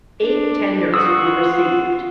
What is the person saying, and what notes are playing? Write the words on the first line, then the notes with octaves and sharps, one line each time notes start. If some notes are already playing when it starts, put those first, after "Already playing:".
Eight tenders were received.
D4
F4 F#4 D#6 E6